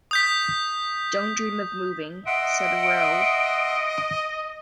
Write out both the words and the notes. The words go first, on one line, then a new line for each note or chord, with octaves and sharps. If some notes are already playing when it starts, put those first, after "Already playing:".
"Don't dream of moving," said Rowe.
D#6 G6 B6
D#5 E5 F#5 C6 D7